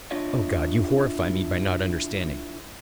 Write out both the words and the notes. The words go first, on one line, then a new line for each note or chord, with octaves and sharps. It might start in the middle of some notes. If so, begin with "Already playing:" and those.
Oh, God, you horrify me by not understanding!
D4 E4 F4 C#5 D#5